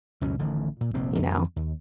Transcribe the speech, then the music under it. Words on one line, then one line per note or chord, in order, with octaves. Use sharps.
you know?
C#2 F#2 B2 C#4
A1 D3 D#3
A#2
F1 A#1 C3 C4
F2
D#2